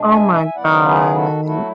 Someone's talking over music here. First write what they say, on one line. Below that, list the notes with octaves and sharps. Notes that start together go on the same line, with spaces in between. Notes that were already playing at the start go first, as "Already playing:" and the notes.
oh my god.
Already playing: B2 G#3 D4
E5 G#5
E5 G#5
G#5
C#3 F#3 B3 E4 D5 F#5
G#4 B4
F#4 A4
F#3 A3 E4 F#4 A4